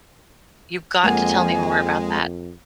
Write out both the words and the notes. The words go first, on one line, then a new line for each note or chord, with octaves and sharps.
You've got to tell me more about that.
F2 G#3 A#3 A#4 F#5 G#5